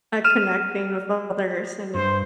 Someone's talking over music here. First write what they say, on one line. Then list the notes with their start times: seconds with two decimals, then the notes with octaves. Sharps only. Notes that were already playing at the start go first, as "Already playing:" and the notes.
at connecting with others and
0.24 F6 D#7 E7
1.94 G2 C5